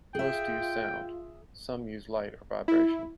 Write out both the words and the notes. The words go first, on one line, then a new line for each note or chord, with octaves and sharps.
Most use sound; some use light or vibration.
F4 G#4 E5 G5
E4